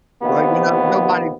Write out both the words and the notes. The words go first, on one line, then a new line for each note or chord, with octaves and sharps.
Well, you know, nobody
D#2 C3 F3 B3